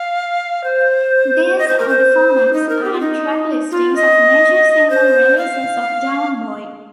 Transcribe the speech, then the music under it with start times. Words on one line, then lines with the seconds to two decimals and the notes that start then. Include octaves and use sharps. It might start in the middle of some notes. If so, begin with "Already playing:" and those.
These are the formats and track listings of major single releases of "Down Boy".
Already playing: F5
0.64 C5
1.59 D#5
1.68 C5
1.80 A#4
1.89 C5
2.53 D#4
2.69 A#4
2.84 G4
2.93 F4
3.00 D#4
3.71 F4
3.96 D#5
4.90 C5
5.38 F5